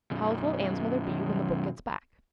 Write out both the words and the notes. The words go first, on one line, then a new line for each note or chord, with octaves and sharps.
How old will Ann's mother be when the book gets back?
B1 F#2